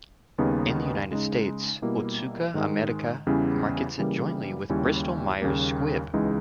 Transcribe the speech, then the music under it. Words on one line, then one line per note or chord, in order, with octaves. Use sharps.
In the United States, Otsuka America markets it jointly with Bristol-Myers Squibb.
D#2 C#3 G3 B3 D#4
C#3 G#3 D#4
B2 G3 A#3 E4
G#2 D#3 G#3
E2 C#3 G3 C#4 E4
C#3 E3 G3 A#3
D#2 C#3 G3 C#4 E4
D#2 C#3 G3 A#3
C#2 C#3 E3 G#3 D#4